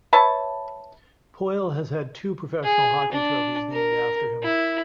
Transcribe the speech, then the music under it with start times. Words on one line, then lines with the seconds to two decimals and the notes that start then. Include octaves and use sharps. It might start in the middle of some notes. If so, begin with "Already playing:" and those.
Poile has had two professional hockey trophies named after him.
0.13 B4 C#5 E5 A5
2.63 G#4
3.12 D4
3.72 A#4
4.43 E4